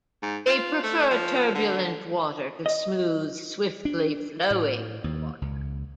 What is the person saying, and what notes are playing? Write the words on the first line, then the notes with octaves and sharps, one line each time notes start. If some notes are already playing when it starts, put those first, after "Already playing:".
They prefer turbulent water to smooth, swiftly flowing water.
G#2
F4
A3
F3
D3
D#5
D4
A2
D#2
C#2